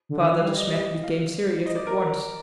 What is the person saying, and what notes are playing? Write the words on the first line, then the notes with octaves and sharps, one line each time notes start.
Father De Smet became serious at once.
D3
D#3
F3
G3 F5
D#5
D#5
F5
D#5
D5
A#4